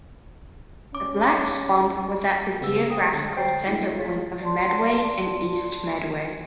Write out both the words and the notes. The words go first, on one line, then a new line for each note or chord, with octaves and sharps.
The Black Swamp was at the geographical center point of Medway and East Medway.
C#4 D6
C#3 B3 E6
G5 D#6
D3
C5 G5 A6 C7
F#3 G#3 A3 D4 E4 F#4
F4 G#4 C#5 A6 B6
D5 A5 C6